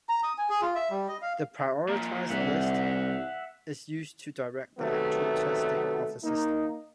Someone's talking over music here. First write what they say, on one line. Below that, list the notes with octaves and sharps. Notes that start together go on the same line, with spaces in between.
The prioritized list is used to direct the actual testing of the system.
A#5
D#6
G#5
G#4
F4
E5
G3
D#5
F5
F3 A#3
C2 E5 F#5
C3 D#3 F#3 A3 B3
A#3 D#4